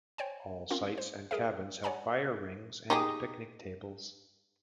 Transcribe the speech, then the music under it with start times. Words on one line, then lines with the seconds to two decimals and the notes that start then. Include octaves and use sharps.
All sites and cabins have fire rings and picnic tables.
0.18 C5 C#5 G5 G#5
0.70 C4 C#4 F4 A#4 F5
0.98 C5
1.31 G#4 A#4 B4 E5
1.83 C#5 D5 F#5 G#5 A#5 B5
2.90 D#4 G4 G#4